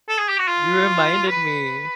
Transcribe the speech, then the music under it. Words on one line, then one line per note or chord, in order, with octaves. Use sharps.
You reminded me.
A4
G#4
G4
F#4
F4
B4